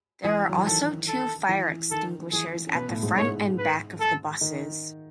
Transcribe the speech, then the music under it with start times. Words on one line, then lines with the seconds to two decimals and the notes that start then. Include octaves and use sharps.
There are also two fire extinguishers at the front and back of the buses.
0.24 E3 G#4
0.49 F#3
0.58 E3
0.66 D#3 A4
1.08 A4
1.49 E3
1.91 D#3 A4
2.33 E3 G#4
2.67 C#4
2.74 B2 B3 B4
2.88 A2 A3
3.02 G#2 G#3
3.16 G#2 G#3 C#5
3.58 B4
4.00 A4
4.41 D#3 D#4